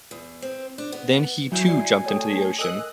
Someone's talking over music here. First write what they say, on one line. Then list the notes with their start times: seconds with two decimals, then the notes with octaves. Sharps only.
Then he too jumped into the ocean.
0.11 E2
0.42 C4
0.78 D4
0.92 B3
1.52 F#3 E4 F#4 G#5 G6 D7
1.66 F#4 D5 C7
2.06 A3 C#5 G5 D#6
2.59 A4 A#4 D#5 D#6 F#6